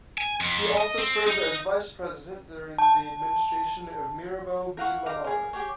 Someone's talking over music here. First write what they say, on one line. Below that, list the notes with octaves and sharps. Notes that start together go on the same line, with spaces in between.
He also served as Vice President during the administration of Mirabeau B. Lamar.
G#5
F2
D#5
C4
D#4
A5
A#4 F5 F#5 C#6
D#4 F5 A#5 D6
G#4 A#4
G4 G#4 C#5